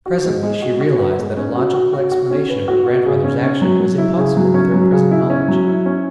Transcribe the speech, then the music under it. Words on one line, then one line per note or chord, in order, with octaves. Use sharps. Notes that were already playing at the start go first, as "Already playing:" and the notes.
Presently she realized that a logical explanation of her grandfather's action was impossible with her present knowledge.
F#4
G#3
G#3
F#4
F#4
B4
G#3
C#4
F#4
F#4
F#4
F#4
C#4
B4
F#4
F#4
C#3
C#4
C#4
F#3
F#3
E4
C#3
F#3
C#4
F#3
C#3
E4
C#4
F#3
E4
C#4